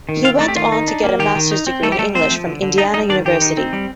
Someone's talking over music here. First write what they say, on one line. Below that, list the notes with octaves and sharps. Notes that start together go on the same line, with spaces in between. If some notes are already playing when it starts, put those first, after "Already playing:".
He went on to get a master's degree in English from Indiana University.
D#3
C4 F4 F5
A3 D4 D5
G4
D#3 F4
D#4
D4
A#3
D#3 G4
D#3
D#4
C4
G3 A3 A4
G4
G3 A3 A4
A3 C4 C5
F3
D3
D3
D4 D#4 D#5
G3 D#4 D#5
D#3 D4 D5
D#3 G4
D#4
C4
G3